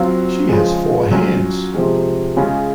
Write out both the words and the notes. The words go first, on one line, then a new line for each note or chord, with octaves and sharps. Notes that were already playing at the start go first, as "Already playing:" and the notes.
She has four hands.
Already playing: F#3 C4 F4
C#3 F3 G#3
F#3 C#4 F4
C3 F3 G#3
C#3 G#3 C#4 F4